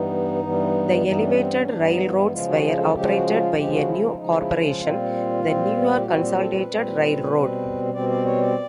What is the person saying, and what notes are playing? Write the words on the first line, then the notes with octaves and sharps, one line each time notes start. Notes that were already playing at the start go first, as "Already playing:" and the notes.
The elevated railroads were operated by a new corporation, the New York Consolidated Railroad.
Already playing: G2 E3 G3 B3 D#4
G2 E3 G3 B3
G2 E3 G3 B3 D#4
C#4
C4
C#4
D#4
G2 E3 G3 B3 D4
E4
D#4
F4
E4
C#3 F3 G#3 F4
F#4
A4
C#3 F3 G#3 G4
F4
F#4
F#4
F4
C#3 F3 G#3 G4
F#4
E4
D#4
C#3 F3 G#3 D#4
E4
F4
A#2 G3 C4
A#2 G3 C4
G4
A#2 G3 C4 F#4
G4
A4
B4
A#2 G3 C4
B2 G3 C4
B2 G3 C4 D5
D5
C#5
D5